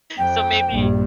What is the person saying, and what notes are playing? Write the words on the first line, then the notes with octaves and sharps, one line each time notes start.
So, maybe
F2 G5
A#1 G2